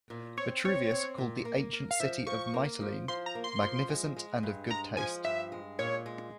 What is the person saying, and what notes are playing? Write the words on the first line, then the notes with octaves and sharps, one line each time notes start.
Vitruvius called the ancient city of Mytilene "magnificent and of good taste".
A#2
C4 C#5
C4 C#5
C4
A#2
A#3
A#4
F5
F3 E5
F3 C#6
A#3
F3
F3 C6
A#5
A#3
C6
F3
G#3
G#3
G2
G#3 A#5
F3 G#5
G2 E5
G#3
A#2 C#5
G#3